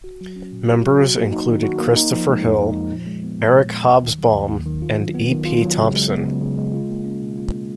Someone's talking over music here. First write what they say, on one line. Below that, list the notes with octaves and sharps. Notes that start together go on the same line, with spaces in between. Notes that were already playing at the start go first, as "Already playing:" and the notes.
Members included Christopher Hill, Eric Hobsbawm and E. P. Thompson.
F#4
F#3
C#4
A#2
F#4
F#3
F#4
A#3
D#4
D#3
F#4
A#3
D#4
F3
G#3
F2
D#4
F3
A#2
G#3
B3
A#2
A#2
G#3
D#2
D#3
F#3
D#2
D#2
D#3
F4
F#3
B3
D#3
F4
F#3
C#3
G#3
B3
C#3
C#3
G#3
F4
A#3
C#4
B2
F4
A#3